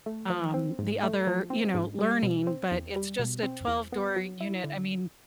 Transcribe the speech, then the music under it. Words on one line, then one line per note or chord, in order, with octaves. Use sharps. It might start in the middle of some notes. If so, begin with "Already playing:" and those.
um, the other, you know, learning, but it's just a twelve-door unit. I mean,
A3
F3
C4
G#2
A3
F3
C4
G#2
G3
B2
C4
E2
G3
B2
C4
E2
B3
F#3
E4
D3